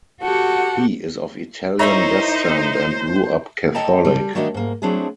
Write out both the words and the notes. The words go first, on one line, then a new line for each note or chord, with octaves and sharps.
He is of Italian descent and grew up Catholic.
F#4 G4 A4 F#5
D#4 E4 A#4 C5 C#5 E5 A#5
A4 C#5 D#5 G5 A5 A#5
G3
D#3 A3 D4 F#4 C#5 D#5
G#2 A#3
F#3 A3 C4 D4 E4 G#4